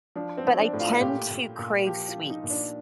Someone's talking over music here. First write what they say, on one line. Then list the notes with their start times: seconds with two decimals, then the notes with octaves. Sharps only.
but I tend to crave sweets.
0.16 F3 D4
0.38 C4
0.45 F3
0.59 D4
0.73 A2
0.80 F4
1.01 A#2 G4
1.30 A#2
1.58 A#2
1.87 F3 G4
2.08 F4
2.16 F3
2.30 D#4
2.44 A#2
2.50 D4